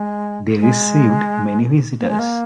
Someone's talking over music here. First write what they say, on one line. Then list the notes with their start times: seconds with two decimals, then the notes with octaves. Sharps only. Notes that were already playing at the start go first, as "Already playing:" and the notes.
They received many visitors.
Already playing: G#3
0.60 G#3
2.00 A#3
2.09 G#3
2.19 A#3